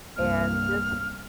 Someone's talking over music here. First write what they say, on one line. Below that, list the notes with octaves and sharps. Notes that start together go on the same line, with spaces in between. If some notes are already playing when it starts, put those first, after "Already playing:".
and this
C2 G2 A#3 F6